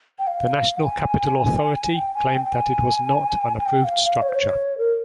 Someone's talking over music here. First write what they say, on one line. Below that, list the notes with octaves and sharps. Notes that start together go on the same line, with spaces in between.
The National Capital Authority claimed that it was not an approved structure.
G5
F5
G#5
G5
G#5
G5
G5
G#5
G#5
G5
F5
F5
C#5
C5
C#5
A#4